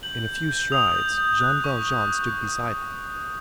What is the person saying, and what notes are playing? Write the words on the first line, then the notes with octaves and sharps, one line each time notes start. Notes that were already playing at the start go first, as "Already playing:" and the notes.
In a few strides Jean Valjean stood beside him.
G6 F#7
G6
G6
D#6 F7
G6
G6
F#6
C#6